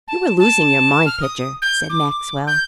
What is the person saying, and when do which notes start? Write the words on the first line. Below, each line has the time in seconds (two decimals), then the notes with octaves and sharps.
"You are losing your mind, Pitcher," said Maxwell.
0.08 A5
0.39 A5
1.06 F6
1.21 D#6
1.62 G6
1.90 D6
2.47 G6